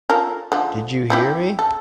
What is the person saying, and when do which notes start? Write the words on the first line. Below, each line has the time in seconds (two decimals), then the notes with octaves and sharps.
Did you hear me?
0.10 F4 A4 A#4
0.52 D3 F3
1.10 C4 E4 G4
1.59 A4